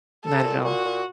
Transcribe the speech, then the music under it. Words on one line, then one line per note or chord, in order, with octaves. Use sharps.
not at all,
A4
C3
A#2
A#2 F#4
A#2